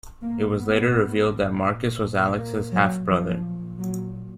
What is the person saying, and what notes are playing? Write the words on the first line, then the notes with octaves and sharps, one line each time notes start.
It was later revealed that Marcus was Alex's half-brother.
A2 A#3
B3
A#2
A#3
F#3
A#2 F3
F#3